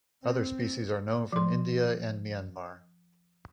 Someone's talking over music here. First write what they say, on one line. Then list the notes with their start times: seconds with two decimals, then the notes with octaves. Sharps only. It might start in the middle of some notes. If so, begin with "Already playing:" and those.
Other species are known from India and Myanmar.
0.24 C4
1.32 F3 C6